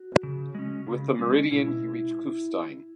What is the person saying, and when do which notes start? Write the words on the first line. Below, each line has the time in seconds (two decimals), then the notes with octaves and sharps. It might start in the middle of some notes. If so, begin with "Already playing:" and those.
With the meridian you reach Kufstein.
Already playing: F#4
0.23 C#3
0.55 G#3 C#4
0.87 C#3
1.19 G#3 C#4
1.50 B2 E4